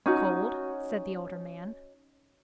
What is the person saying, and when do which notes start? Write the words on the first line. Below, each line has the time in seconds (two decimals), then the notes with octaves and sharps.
"Cold?" said the older man.
0.06 C#4 D#4 F#4